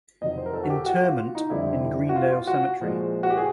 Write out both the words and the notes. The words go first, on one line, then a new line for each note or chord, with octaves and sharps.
Interment in Greendale Cemetery.
F2 C3 D#3 F#3 D#5
C5
A#4
A4
F#4
G4
F#4
F4
D#4
F2 D3 G3 E4
F#4
F4
F4
F#4
A#2 F3 G#3
F#4
G4
G#4